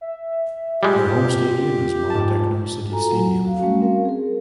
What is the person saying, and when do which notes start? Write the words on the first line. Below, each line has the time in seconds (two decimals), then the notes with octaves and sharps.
Their home stadium is Molodechno City Stadium.
0.01 E5
0.83 G3 G#3 F4 G4
2.10 G#2 A5
2.89 F4 F#4 A4 G#5 A#5
3.12 F#3
3.45 F#4 F5
3.60 G3 A3 C#4 F#4
3.80 C4 A#4 F5
4.05 G#4 A#4